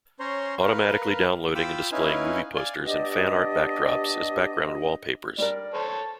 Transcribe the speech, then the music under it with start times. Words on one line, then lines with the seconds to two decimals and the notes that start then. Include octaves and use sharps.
Automatically downloading and displaying movie posters and fan art backdrops as background wallpapers.
0.20 C#4 C5 C#5 A#5 C6
0.62 A#4 B4 F5
1.55 F4 G5 B5 D6 E6
1.92 C#4 D#4 E4 B4 F5 G#5
2.56 D5 F5 G#5
2.84 G3 B3 D4 G4 D5 D#5
5.38 G3 D4 A#4 D5
5.74 A4 C5 C#5 A5